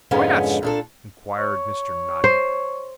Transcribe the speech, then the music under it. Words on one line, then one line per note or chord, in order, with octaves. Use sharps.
'Why not, Sir?' inquired Mr. Noddy.
F2 G#2 D3 G#3 B3 C#4
A#2 D4 A4
C#5
C5